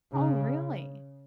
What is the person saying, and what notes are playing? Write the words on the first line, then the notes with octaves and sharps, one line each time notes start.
Oh, really?
C#3